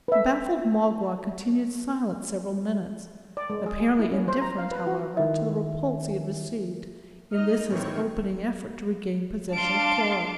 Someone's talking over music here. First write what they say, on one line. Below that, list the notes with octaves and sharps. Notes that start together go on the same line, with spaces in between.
The baffled Magua continued silent several minutes, apparently indifferent, however, to the repulse he had received in this his opening effort to regain possession of Cora.
B4 E5
D5
G#3
G#4
G#4
E4
C#4
C5
A#5
F5
B4
F#4
D#3 E4 E5
D#4 D#5 F6
A2 D#3 E3 C4 C#5
D4 F5 A5 C6 D7